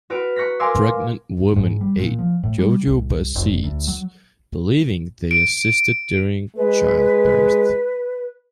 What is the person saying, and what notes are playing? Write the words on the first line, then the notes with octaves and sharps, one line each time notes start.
Pregnant women ate jojoba seeds, believing they assisted during childbirth.
F#4 B4 F6 D7
A#5 C#6 F#6 A#6 B6
A#4 F5 G#5 C6 D6 E6
G#2
G3
A#2
F3
A2
G3
C2
F1
D2
F#3
D7
G#3 B4